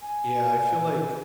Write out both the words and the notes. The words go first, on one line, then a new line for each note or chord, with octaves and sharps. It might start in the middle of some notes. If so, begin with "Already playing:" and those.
yeah, I feel like
G#5